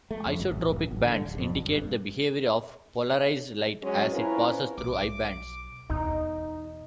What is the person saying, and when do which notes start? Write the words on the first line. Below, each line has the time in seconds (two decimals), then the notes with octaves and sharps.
Isotropic bands indicate the behavior of polarized light as it passes through I bands.
0.11 A3
0.26 F2
0.40 G1
0.52 A1
0.70 D1
0.91 A1
1.05 D3
1.26 D1
1.38 F2
1.55 G1
1.69 G2
3.83 F#3 G#3 C#4
4.12 C4 C#4 E4 F4 A#4 B4
4.78 B1 D6
5.90 E2 B2 D#4